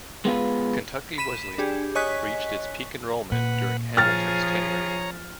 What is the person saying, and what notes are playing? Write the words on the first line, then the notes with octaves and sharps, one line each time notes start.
Kentucky Wesleyan reached its peak enrollment during Hamilton's tenure.
G#3 B3 F4 B4
B5 B6 D#7 E7
D4 G4 G#4
C#5 D#5 G#5 C#6 F#6 B6
A#2 B4 F#5
F3 G#4 C#5 A#5 F6 A6